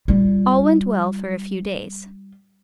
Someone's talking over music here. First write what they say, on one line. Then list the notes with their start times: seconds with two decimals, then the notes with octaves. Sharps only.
All went well for a few days.
0.08 G3 F4